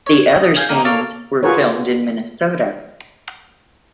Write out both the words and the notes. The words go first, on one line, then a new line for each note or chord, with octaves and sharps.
The other scenes were filmed in Minnesota.
C#5
D#5
G#4 F5 G#5 G6
A#3 D#4 F4 G4
A4 C#5 F5 D6
F4 F#4 G#4 A#4 B4 C#5